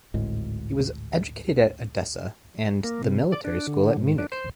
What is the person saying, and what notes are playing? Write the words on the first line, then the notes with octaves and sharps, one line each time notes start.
He was educated at Odessa and the military school at Munich.
G#1 D2 A2 G#3
A#3
C3
D5
D4
D3
G#2
D4
C5